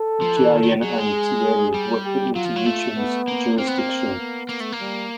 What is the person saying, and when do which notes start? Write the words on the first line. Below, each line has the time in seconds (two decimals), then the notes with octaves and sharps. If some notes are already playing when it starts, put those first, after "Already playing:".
Jiayin and Tieli were put into Yichun's jurisdiction.
Already playing: A4
0.21 F3
0.37 E3
0.52 D#3
0.63 D#3
0.82 F#3 G#4
0.98 G#3
1.74 G3
2.05 G4
2.35 F#3 F4
2.45 F3
2.56 F#3
2.66 A3
2.96 B3
3.28 A#3
3.57 A#3 C4
3.67 B3
3.78 A#3
4.19 B3
4.49 A#3
4.60 A3
4.72 A#3
4.80 G3